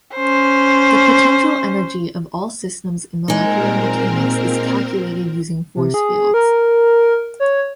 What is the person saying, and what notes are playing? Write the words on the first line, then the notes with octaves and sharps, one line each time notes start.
The potential energy of all systems in molecular mechanics is calculated using force fields.
C#4 C5
A#2 G#3 C4 D#4 A#4
C3
G#4
A#4
C#5